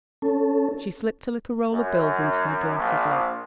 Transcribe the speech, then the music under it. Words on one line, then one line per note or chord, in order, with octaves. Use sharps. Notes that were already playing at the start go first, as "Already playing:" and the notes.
She slipped a little roll of bills into her daughter's lap.
C#4 A4
F#2
A#1